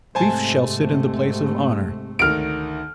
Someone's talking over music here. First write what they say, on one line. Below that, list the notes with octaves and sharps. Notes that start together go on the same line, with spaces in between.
"Leif shall sit in the place of honor."
G#2 C3 A3 C5 G#5 A5
D2 D#3 F6 D7